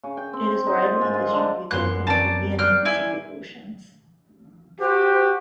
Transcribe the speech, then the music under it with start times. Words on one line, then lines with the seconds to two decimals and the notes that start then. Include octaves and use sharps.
It is widely distributed in the Indian and Pacific Oceans.
0.03 C#3
0.17 G5
0.33 C4
0.47 C5
0.67 D#4
0.82 F4
1.01 G#2
1.14 F4
1.33 D3
1.71 F#2 B3 C6 F#6 C7
2.07 C4 C#4 D5 A5 A#5
2.59 G3 C5 D5 G5 F6 F#6
2.85 E4 G#5
4.80 F#4 G4 C5